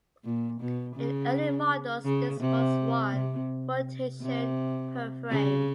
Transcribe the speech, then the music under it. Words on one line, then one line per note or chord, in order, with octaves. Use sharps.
In early models, this was one rotation per frame.
A#2
B2
C#3
C#3
C3
C3
C3
C#3